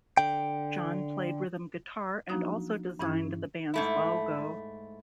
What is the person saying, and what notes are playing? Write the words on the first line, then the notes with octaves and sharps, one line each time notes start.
Jon played rhythm guitar and also designed the band's logo.
D3 G5
F3 F#3 A#3 D4 D#4 F#4
G2 E3 C#4 E4 G#6
G#2 A3 E4